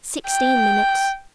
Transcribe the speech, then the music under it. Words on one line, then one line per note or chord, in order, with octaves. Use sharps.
Sixteen minutes.
G5